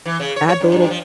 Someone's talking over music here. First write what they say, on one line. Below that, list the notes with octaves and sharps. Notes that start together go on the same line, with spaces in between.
add the little
E3
C#3
C#5
C#5
G2
G2
F3